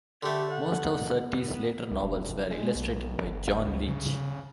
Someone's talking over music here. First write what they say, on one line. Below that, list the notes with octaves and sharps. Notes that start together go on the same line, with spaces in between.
Most of Surtees's later novels, were illustrated by John Leech.
D3 A3 G4
F#5
B3
C2
F1
G#3
B1
G1
C#2
C#3